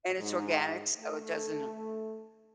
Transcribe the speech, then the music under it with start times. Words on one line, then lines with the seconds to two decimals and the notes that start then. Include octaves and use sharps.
and it's organic so it doesn't, uh
0.18 G#2
0.98 A3